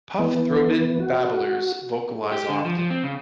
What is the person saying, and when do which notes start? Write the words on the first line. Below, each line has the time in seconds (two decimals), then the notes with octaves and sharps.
Puff-throated babblers vocalize often.
0.19 E3 B3
1.00 F#4
2.32 G4
2.49 D3
2.65 F3
2.78 F3
2.90 C4
3.03 C#3